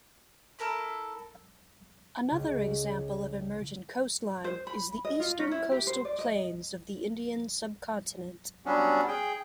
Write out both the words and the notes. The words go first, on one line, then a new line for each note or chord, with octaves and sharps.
Another example of emergent coastline is the Eastern Coastal Plains of the Indian Subcontinent.
E4 A4 A#4 B5
C#2 C#3
C5
B5
D#5
F4
C#4
E4
G4
C5
D5
D#5
F#3 G3 B3 C#4 D4
G#4 G5